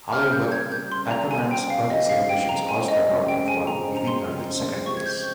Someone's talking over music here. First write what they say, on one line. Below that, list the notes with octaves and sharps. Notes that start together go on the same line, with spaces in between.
However, Ackermann's early celebrations caused the rod to fall, leaving her with second place.
C#3 G3 C4 G4 A#4 F6
G6
G#6
C#3 G3 C4 G4 A#4 G6
C6
A#5
C#3 G3 C4 G4 A#4 G#5
G5
F5
C#3 G3 C4 G4 A#4 D#5
F5
G5
C#3 F3 G#3 C4 A#5
G#5
D#5
C#3 F3 G#3 C4
G5
G#5
C#3 F3 G#3 C4 A#5
A#5
C6
C#3 F3 G#3 C4
F3 C4 G4 C#6
G#6
G6